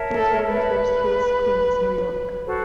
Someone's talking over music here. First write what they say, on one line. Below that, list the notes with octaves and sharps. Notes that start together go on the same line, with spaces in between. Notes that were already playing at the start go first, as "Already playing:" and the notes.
He was born in Forest Hills, Queens, New York.
Already playing: A#4 C#5 E5 A5
A4
B4
F#4 A4 C5